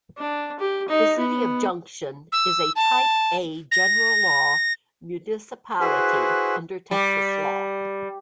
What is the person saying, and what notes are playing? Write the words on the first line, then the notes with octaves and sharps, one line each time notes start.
The city of Junction is a "Type A" General Law municipality under Texas law.
D4
G4
D#4
B3
E6
A5
A#6
E4 F#4 G#4 B4 C5 F#5
G3